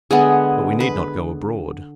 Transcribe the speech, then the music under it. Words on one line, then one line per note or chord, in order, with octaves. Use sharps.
But we need not go abroad.
D3 G#3 B3 G#4
B4